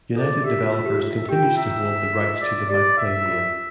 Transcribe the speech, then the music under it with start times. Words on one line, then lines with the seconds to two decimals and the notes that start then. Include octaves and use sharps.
United Developers continues to hold the rights to the MacPlay name.
0.16 A4 D5
0.44 G4 E5
0.59 F4
0.72 F4 E5
0.85 G4
0.99 F4 E5
1.29 G4 G5
1.43 F4
1.57 E4 E5
2.13 F4
2.41 D5
2.70 G4 D5
2.98 E5
3.26 F4